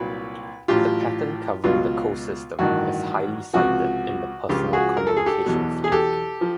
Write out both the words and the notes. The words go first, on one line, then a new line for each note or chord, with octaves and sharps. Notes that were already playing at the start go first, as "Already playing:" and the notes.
The patent covering the CoSystem is highly cited in the personal communication field.
Already playing: C2 A#2 F#3 B4
A1 A2 F#3 F4 G4
C#2 B2 F#3 F4
A1 G2 D#3 F#4
C#2 C3 F3 F#4
C#2 C#3 F3 F4 G4
F#4 G#4
A#4
A4
G#4
G4 A4
E2 B2 F#3
G#4
G4 A4
F3